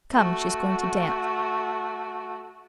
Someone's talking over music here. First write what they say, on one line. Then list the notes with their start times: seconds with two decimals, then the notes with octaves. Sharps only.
Come, she's going to dance.
0.13 A3 F#4